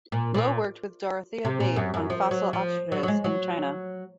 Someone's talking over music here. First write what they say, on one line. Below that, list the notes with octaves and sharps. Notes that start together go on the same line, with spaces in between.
Lowe worked with Dorothea Bate on fossil ostriches in China.
A#2
A#2
C3
A#2
F#2
F#2
F3
F#3
F3
F#3
F#3
G#3
F#3